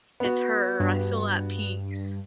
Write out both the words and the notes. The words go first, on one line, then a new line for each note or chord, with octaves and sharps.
it's her. I feel at peace."
B3 F#4
G2